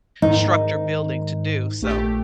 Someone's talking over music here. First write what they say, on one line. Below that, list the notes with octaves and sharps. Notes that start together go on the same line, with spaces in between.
structure building to do so.
G#2 D#3 D#4
A#1 A3 G4